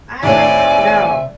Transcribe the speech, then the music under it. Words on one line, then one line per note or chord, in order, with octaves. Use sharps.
I don't know.
D#2 A2 C4 C#5 D5 E5 G#5